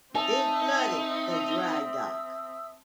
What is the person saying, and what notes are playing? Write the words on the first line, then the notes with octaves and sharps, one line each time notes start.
It flooded the dry dock.
C4 D#4 E5 A5 D#6 E6